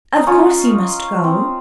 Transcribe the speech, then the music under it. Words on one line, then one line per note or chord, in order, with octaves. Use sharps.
Of course you must go.
D#4
C#4 F4
C4